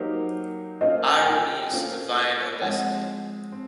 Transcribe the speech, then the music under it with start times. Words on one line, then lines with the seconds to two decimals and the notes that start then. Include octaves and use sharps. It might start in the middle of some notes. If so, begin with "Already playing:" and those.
Irony is "divine audacity".
Already playing: F#3 A#3 D#4 G4 C5
0.81 A#3 C#4 F4 A4 C5 D#5
1.16 G#5
1.26 G5
1.72 A#3 C#4 F4 A4 C5
2.62 F3 G#3 C4 F#5
3.52 C4